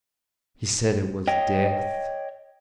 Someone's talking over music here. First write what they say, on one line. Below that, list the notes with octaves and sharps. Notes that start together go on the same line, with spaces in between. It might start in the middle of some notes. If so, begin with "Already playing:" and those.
He said it was death.
C#5 D#5 G5